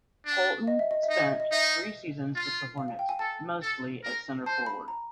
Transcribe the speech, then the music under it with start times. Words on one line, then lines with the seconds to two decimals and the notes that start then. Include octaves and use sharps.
Holton spent three seasons with the Hornets, mostly at centre forward.
0.25 D4
0.67 D#5
0.79 E5
0.91 D#5
1.03 E5
1.10 D#4
1.15 D#5
1.27 E5
1.40 D#5
1.51 D#4 E5
2.35 F4
2.78 F5
2.88 F5
2.99 G5
3.09 G#5
3.19 A4 A5
3.62 A4
4.04 A#4
4.46 C5 A5
4.66 B5
4.88 A#5